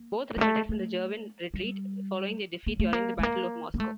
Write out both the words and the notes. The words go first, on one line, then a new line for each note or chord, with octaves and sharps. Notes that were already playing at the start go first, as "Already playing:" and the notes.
Both resulted from the German retreat following their defeat during the Battle of Moscow.
Already playing: A#3
G3
A3
A3
G3
A#3
A3
A#3
A3
A#3
A#3
A3